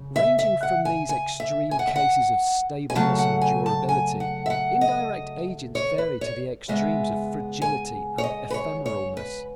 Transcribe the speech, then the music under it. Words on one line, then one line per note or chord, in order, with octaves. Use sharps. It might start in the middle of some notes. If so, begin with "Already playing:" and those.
Ranging from these extreme cases of stableness and durability, indirect agents vary to the extremes of fragility and ephemeralness.
Already playing: C#3
E5
E5
F#5
G#5
G#5
E5
G#5
F#5
E5
F#5
G#5
C#3 F#3 A3 A5
F#5
G#5
A5
G#5
F#5
E5
F#5
D#5
C#5
B4
C#5
C#3 G#3 B3 E5
G#5
C#5
D#5
B4
C#5
C#5
B4